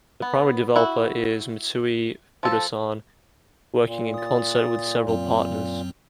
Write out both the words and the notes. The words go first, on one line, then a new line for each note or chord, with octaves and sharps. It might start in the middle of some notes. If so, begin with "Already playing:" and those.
The primary developer is Mitsui Fudosan, working in concert with several partners.
B3
E4 F#4
F3 A4
A#2
D#6 A6
F#2 F#3 C4